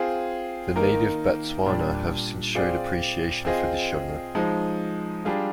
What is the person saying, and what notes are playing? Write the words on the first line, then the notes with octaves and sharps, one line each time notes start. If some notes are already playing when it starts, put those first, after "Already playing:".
The native Batswana have since showed appreciation for this genre.
Already playing: C4 F4 G#4
D#3 A#3 D#4 A#4
A#2 G3 D4
C4 F4 G#4 D5
C4 F4 G#4 D#5
F3 G#3 D#4
G3 D4 F4 G#4